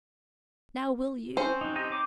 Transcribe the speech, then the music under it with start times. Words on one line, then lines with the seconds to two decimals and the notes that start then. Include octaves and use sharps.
Now, will you?'
1.37 C4 C#4 C5
1.61 F#3 D#4
1.76 D#4 G4 D#5
1.90 D#4 D6